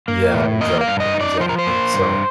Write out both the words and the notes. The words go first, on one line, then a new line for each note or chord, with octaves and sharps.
Yeah, exactly, exactly, so,
A#3
A2
A#3 D#5
F5
G2
D#5
D#4
D5
F3 C5
A#4
C5
A#3
G2